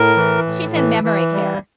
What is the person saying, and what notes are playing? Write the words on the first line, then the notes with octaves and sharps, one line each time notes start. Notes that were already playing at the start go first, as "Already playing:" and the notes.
She's in memory care.
Already playing: A2 A#4
E3
A2
E3
E3
G3